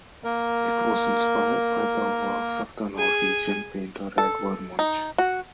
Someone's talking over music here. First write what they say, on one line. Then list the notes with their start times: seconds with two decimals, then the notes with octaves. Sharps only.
It was inspired by the works of the Norwegian painter Edvard Munch.
0.24 A#3 A#4
2.96 G#4 G#5
4.18 A4
4.79 D#4
5.18 F#4